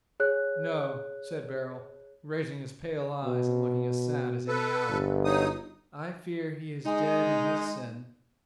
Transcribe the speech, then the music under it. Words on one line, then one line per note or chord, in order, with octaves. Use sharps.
"No," said Beryl, raising his pale eyes and looking as sad as any owl. "I fear he is dead in his sin."
G#4 C#5 F#6
B2
A4 B4
G1
F#3 D#4 D#6
G#3 D#4